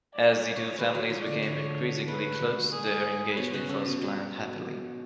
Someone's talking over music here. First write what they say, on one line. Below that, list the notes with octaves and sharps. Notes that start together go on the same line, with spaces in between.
As the two families became increasingly close, their engagement was planned happily.
D5
C#5
C#5
G#3 B4
F#3
C#5
F3
D5
D3
D3 C#5
A3 B4
A3
G#4
B4
B2 B3 C#5
C#3 C#4 F#4
C#3 C#4 A4
B2 B3
F#3